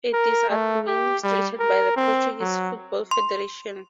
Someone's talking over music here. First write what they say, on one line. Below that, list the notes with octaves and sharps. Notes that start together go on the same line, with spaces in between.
It is administrated by the Portuguese Football Federation.
A#4
A3
G4
G3
A#4
C4
F#3
C6